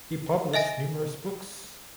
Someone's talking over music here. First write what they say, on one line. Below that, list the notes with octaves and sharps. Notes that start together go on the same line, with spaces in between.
He published numerous books.
D#5 E5 G#5 A#6